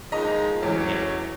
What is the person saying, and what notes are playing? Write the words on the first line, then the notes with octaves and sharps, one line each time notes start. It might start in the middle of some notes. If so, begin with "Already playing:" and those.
Er, it
D#3 F3 G#3 D#5 A#5
E2 F#3 C#4